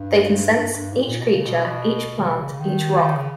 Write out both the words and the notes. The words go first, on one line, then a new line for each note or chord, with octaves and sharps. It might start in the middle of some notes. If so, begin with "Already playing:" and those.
They can sense, each creature, each plant, each rock.
Already playing: G2
G#2
G2
G2
G#2
A#2
B2
C#3
B2
D#3
C#3
B2
C#3
D#3
D#3
C#3